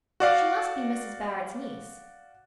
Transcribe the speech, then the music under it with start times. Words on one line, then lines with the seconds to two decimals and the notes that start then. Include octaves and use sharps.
She must be Mrs. Barrett's niece.
0.20 F#4 D5 F5